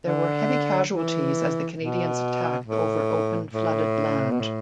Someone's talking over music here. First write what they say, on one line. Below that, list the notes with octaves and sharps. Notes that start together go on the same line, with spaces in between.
There were heavy casualties as the Canadians attacked over open, flooded land.
D3
E3
B2
A2
A2
B2
A2